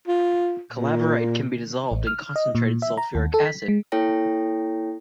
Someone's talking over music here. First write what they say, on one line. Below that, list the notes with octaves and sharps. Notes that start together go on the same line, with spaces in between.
Calaverite can be dissolved in concentrated sulfuric acid.
F4
A#2
A1
F6
D#5
A#2
E5
A#5
D#2
A4
B6
G#3
A#3 E4 A4 C#5 G5 A#6